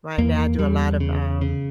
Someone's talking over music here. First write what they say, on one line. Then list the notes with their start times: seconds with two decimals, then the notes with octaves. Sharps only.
right now I do a lot of, um,
0.18 E2 A#3
0.59 E2 G3
1.00 C#3
1.41 C#3